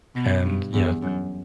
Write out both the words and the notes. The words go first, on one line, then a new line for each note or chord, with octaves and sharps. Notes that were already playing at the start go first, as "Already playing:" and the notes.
and, you know
B2
G2
E2
F#2